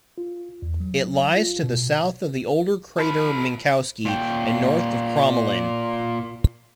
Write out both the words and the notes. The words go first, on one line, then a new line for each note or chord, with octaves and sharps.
It lies to the south of the older crater Minkowski, and north of Crommelin.
F4
E2
F#3
F4
B2
F3 A4 B4
A#2 G5